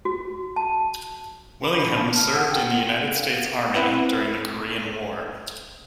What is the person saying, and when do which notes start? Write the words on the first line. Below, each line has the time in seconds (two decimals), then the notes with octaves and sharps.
Willingham served in the United States Army during the Korean War.
0.05 F#4
0.56 A5
1.63 B5
1.96 A5
2.16 F6
2.36 F#5
2.49 G5
2.71 F#5
3.21 F5
3.74 C4 E4 B4 F#5